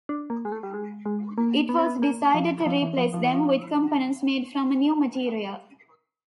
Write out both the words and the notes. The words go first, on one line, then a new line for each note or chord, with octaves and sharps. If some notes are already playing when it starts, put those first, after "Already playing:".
It was decided to replace them with components made from a new material.
D4
A#3
G#3
A3
G3
G#3
G#3
A#3
B3
C4
B3
A#3
F3
F3
E3
F3
F3
E3
F3